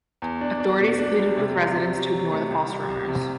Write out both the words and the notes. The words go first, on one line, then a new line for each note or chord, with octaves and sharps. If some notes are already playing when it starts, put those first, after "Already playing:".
Authorities pleaded with residents to ignore the false rumors.
E2
D4
D4
B2
D4
G3
C3
C3
C3
F#3
F#3
A3
C2
G3
C2
C3